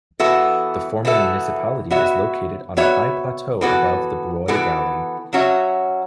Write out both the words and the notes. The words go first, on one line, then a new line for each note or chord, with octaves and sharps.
The former municipality is located on a high plateau above the Broye valley.
E3 B3 F#4 A4 E5
E3 B3 F#4 A4 E5
B3 F#4 C#5 E5
B3 F#4 C#5 E5
E3 B3 F#4 A4
E3 B3 F#4 A4
F#3 C#4 F#4 C#5 E5